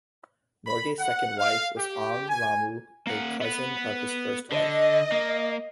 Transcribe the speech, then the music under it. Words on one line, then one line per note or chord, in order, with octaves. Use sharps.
Norgay's second wife was Ang Lahmu, a cousin of his first wife.
B5
F#5
F5
G4
G#5
A#3 F#5
B3 B4
D3 D#5
A#3